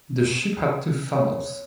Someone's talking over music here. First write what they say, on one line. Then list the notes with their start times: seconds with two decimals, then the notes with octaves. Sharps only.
The ship had two funnels.
1.16 C#5